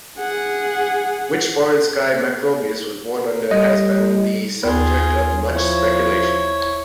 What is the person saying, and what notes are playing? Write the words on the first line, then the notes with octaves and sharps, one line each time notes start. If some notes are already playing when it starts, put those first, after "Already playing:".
Which "foreign sky" Macrobius was born under has been the subject of much speculation.
G#4 F#5
G3 D#5
D#2 B3 F4 G#4
F3 E4 C#5